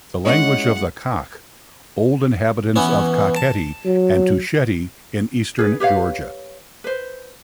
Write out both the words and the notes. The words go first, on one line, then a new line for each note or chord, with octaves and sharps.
The language of the Kakh, old inhabitants of Kakheti and Tusheti in Eastern Georgia.
G#3 C#4 E4 F4 C#5 D#5 F#5
E3 B3 C#4
A5
F#3
G#4 B4
G4 B4 C#5 F5
B4 C5